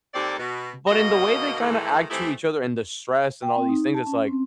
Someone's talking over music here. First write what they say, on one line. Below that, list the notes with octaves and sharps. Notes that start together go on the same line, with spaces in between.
but in the way they kinda act to each other, and the stress, and all these things. It's like,
D#2 A#3 C4 A4 D5
B2
B2 D3 A#3 D#5
G#2 D#3 E3 A3
E3 A3 C4 D#4 E4 G4
G5
C4
D#4
A5
C#4
C4